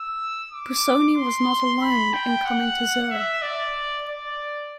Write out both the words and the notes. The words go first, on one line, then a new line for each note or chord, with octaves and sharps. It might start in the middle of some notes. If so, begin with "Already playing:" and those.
Busoni was not alone in coming to Zurich.
Already playing: E6
D6
C6
B5
G5
F#5
E5
D5
D5